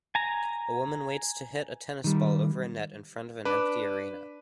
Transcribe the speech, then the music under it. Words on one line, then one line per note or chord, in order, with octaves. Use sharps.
A woman waits to hit a tennis ball over a net in front of an empty arena.
G#5 A#5
D#3 G3
D4 B4